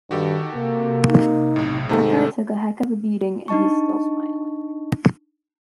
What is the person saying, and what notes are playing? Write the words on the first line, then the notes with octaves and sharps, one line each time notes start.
That guy took a heck of a beating and he's still smiling.
G2 D#3 F#4 G4 A4
C3 A#3
D#4
B1 A2
G#2 C3 D#3 A3 A4
D4 D#4 D#5 A5 C#6